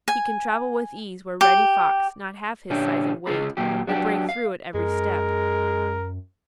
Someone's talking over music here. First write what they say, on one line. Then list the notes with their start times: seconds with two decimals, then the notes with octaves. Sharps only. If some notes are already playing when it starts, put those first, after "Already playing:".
He can travel with ease where Reddy Fox, not half his size and weight, would break through at every step.
0.08 G#5
1.41 G4
2.70 A#2 D3 C#4 D4 G4
3.26 C#2 C#3 F#3 F4 G#4 B5
3.57 D#2 A#2 F#3 G4
3.87 F#3 D4 G4
4.29 F5
4.74 F#2 G#3 A#4